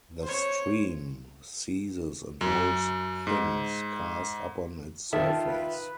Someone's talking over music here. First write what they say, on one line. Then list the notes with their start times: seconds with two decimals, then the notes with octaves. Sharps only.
The stream seizes and holds things cast upon its surface.
0.23 C5 C#5
2.41 F#2
3.27 G#2
5.13 D#3 F4 E5 A5
5.47 B4